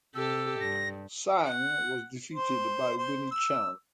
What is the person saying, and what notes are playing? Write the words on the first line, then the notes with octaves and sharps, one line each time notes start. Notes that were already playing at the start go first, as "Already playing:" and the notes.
Tsang was defeated by Winnie Chan.
C3 G4 A4 E6
G2 A#6
F#5
C5
C5
E6